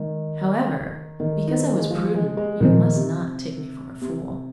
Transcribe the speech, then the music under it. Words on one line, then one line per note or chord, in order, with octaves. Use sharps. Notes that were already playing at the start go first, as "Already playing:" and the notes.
However, because I was prudent you must not take me for a fool.
Already playing: D#3 G#3
D#3
D#4
C4
A#3
G#3
F3
G#3
G#3
A#2 D#3 F3 C4
C3
C3